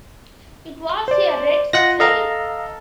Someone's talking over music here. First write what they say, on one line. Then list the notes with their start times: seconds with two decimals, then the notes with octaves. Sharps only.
It was a red sail.
1.08 C5 D5
1.73 F4 D#5 F#5 F#6 A#6
2.00 A4 D#5 F5 A#5